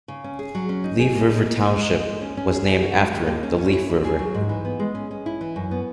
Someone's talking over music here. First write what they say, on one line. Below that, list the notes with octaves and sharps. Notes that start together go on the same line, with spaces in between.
Leaf River Township was named after the Leaf River.
C#3
C#4
G#4
F#3
C#4
D#4
G#4
A#3
D#4
A#3
D#4
G#3
D#4
G#3
C#4
C#4
G#4
D#4
F#4
G#3
D#2
A#3
C#4
C#4
E4
E4
G#4
F#3
G#2
E3
B3
G#3
C#4
C#4
E4
E3
F#2
B3